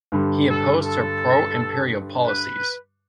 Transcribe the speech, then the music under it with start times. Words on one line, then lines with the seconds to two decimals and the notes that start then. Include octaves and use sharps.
He opposed her pro-Imperial policies.
0.12 G2 D3 G3
0.48 A4
0.83 A4
2.25 B4